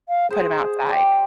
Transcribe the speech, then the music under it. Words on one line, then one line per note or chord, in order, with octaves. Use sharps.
put 'em outside.
F5
G#4 C5 F#5
G4 D5